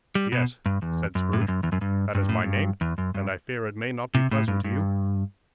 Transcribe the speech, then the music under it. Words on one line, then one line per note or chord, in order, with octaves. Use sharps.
'Yes,' said Scrooge. 'That is my name, and I fear it may not be pleasant to you.
G3
B2
G2
E2
F#2
A2
G2
F#2
E2
F#2
G2
G2
A2
G2
E2
F#2
G2
C3
A2
G2
G2